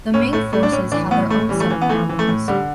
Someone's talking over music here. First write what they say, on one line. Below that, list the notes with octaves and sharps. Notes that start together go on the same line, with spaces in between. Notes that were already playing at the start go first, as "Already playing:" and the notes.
The Ming forces had their own set of problems.
A2 C#4
A2 A3
A2 A3
D4
A2 C#4
E3 D4
A2 B3
A2 A3
E3 G3
A3
E3
B3
E3 A3
E3
A3
A2
D3 G3